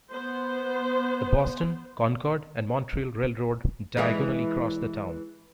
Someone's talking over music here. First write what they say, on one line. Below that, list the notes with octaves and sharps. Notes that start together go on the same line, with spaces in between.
The Boston, Concord and Montreal Railroad diagonally crossed the town.
B3 C5
E3 G#3 E4